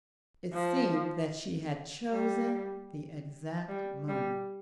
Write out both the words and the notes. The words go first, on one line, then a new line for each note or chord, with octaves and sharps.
It seemed that she had chosen the exact moment.
F3
G3
G3
G3